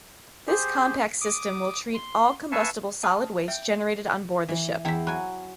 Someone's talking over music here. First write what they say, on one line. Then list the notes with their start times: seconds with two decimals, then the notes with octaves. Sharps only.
This compact system will treat all combustible solid waste generated on board the ship.
0.48 G4 G#4 C5
1.21 D6 D#6
1.94 C6
2.52 B4 E5 F5 G#5 A5 C#6
3.03 A5 D#6 F6
3.48 E5 G5
4.48 E3
4.85 E2 E4 C5 G5 B6
5.07 F#3 G#5 B5 F#6